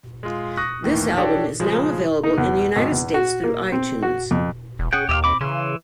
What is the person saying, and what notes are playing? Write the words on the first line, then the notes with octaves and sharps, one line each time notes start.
This album is now available in the United States through iTunes.
G#3 F4
C#6 D#6 F#6 A#6
D#2 A2 D#3 E3
D4 F#4 G4 A4 C#5 D5
C#3 F3 G#3
D#4
E2
G#1
E2
F#4
A#3
C4
F#4
F2
E1
C#4 G#4 F#5 G5
D#2 G4 E5 F5
C4 B5 D6
C#3 E3 C6